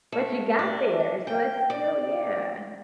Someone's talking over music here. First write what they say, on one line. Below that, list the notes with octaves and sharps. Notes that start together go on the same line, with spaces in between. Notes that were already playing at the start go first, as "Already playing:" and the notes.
But you got there, so that's still yeah.
A3
D4
G5
D5